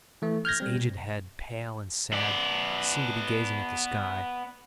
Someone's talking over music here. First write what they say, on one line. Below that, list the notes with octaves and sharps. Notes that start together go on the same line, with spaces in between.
His aged head, pale and sad, seemed to be gazing at the sky.
E3 A3
F6 G6 G#6 A#6
G3 C4
B2
B3 D5